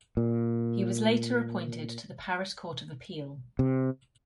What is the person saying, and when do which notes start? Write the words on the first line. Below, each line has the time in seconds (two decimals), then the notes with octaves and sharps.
He was later appointed to the Paris Court of Appeal.
0.17 A#2
3.59 C3